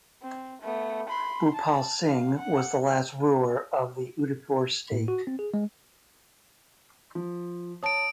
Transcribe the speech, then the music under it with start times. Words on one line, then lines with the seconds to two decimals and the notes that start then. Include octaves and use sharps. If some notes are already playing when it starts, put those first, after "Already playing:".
Bhupal Singh was the last ruler of the Udaipur State.
0.22 C4
0.61 A3 B3
1.08 B5 C6
1.54 A5
2.06 F5
2.38 F#5
4.92 A2
5.08 F#4
5.27 C4
5.39 G#4
5.54 G#3
7.15 F3
7.83 C#5 A5 D#6 D7